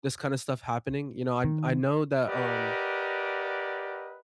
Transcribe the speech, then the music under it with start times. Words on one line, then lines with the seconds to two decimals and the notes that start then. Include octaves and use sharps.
this kinda stuff happening, you know, I I know that, um,
1.44 D#3
2.27 G4 A#4 B4 D5 D#5 F#5